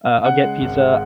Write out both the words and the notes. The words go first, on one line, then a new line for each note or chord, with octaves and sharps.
uh, I'll get pizza,
C#3 F#5
G#3
G#1
G#3